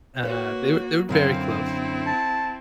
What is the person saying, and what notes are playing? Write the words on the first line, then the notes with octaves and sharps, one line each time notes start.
uh, they were they were very close,
A#3 F#4 B4 C#5
F#2 D3 C4 E4 F5
A5